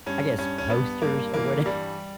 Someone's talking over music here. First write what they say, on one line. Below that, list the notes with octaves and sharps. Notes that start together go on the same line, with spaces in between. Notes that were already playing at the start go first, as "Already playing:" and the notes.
I guess, posters or whatever,
G2 C#4
G2 C#4
C#4
G2 B3
G2 A#3
E3 A#3
G2 G3